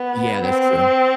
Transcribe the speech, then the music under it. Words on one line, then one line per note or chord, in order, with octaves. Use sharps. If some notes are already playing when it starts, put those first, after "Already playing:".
Yeah, that's true.
Already playing: B3
C4